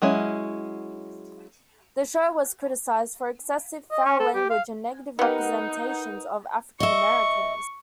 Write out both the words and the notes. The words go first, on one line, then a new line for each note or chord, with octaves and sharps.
The show was criticized for excessive foul language and negative representations of African Americans.
F#3 G#3 C#4 E4
D#5
C#4
A4
G4
F5
B3 D#4 G4 A#4 B4 F#5
D#5 E5 C#6